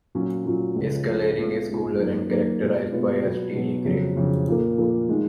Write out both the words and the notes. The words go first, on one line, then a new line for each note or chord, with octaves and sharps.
His colouring is colder and characterized by a steely grey.
A#2 F#3 C#4 F4
A#2 F#3 C#4 F4
C#2 C#3 F3 G#3
C#2 C#3 F3 G#3
A#2 G#3 B3 F4
A#2 G#3 B3 F4
F#2 D#3 A#3
F#2 D#3 A#3
B2 G#3 B3 F4
B2 G#3 B3 F4
B2 F#3 B3
B2 F#3 B3
F2 C#3 F#3
F2 C#3 F#3
A#2 F3 A#3
A#2 F3 A#3
D#3 G#3